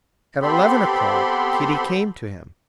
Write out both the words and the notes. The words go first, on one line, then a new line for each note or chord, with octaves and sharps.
At eleven o'clock Kitty came to him.
B3 C4 G4 A4 B5 C6